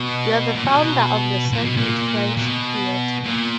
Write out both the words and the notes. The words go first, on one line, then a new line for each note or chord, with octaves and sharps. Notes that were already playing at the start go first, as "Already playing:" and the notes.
You are the founder of the second French Theatre.
Already playing: B2
A#2
B2
A#2
B2
A#2
B2
A#2